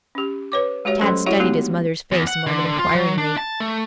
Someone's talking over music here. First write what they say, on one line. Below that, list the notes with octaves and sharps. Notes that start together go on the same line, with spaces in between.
Tad studied his mother's face a moment inquiringly.
C#4 G4
B4 C#5 D6
G#3 F#4 G4 C#5 E5
F#3 A3 C#4 A4 C5 C6
E4 F#4 G4 C#5 E5 F#5
G#3 A3 B3 D#4 F#4 G4
E2
F#5
D3
D3
F4
F#3
D4
A5
A3